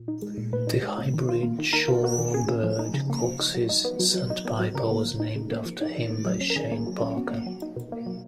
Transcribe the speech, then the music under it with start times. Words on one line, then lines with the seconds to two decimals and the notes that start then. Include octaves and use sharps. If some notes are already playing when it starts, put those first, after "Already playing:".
The hybrid shorebird Cox's sandpiper was named after him by Shane Parker.
Already playing: A#2
0.08 D#4
0.22 G#3
0.38 A#2
0.53 A#2 B4
0.67 D#4
0.83 G#3
0.98 A#2
1.14 D#3
1.29 F4
1.43 A#3
1.59 D#3
1.73 D#3 A#4
1.88 F4
2.03 A#3 F#4
2.19 D#3
2.34 C#3 G#4
2.49 A#3
2.63 F3
2.79 D#4
2.94 C#3
3.10 A#3
3.24 F3
3.40 D#4
3.54 F#3
3.69 D#4
3.85 B3
3.99 F#3
4.14 F#3
4.30 D#4
4.45 B3
4.59 F#3
4.75 C#3 A#4
4.91 A#3
5.05 F3
5.20 D#4
5.35 C#3
5.51 A#3
5.66 F3
5.81 D#4
5.96 D#3
6.11 A#3
6.26 F#3
6.41 C#4
6.50 A#4
6.56 D#3 G#4
6.71 A#3
6.87 F#3
7.02 C#4
7.16 B2 F#4
7.31 A#3
7.47 F#3
7.62 D#4
7.76 B2
7.92 A#3
8.07 F#3